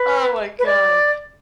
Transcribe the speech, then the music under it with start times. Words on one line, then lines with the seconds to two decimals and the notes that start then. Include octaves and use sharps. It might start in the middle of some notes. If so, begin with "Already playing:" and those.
Oh my God.
Already playing: B4
0.59 B4
0.66 D5